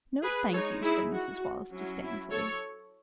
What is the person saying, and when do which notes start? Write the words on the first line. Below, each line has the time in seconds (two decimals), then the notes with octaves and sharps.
"No, thank you," said Mrs. Wallace disdainfully.
0.23 G#4 B4
0.52 G#3 A4 C#5
0.57 D#4
0.82 E4 G#4
1.12 F#4
1.72 F#3 C#4 E4
2.02 E4
2.31 A4 C#5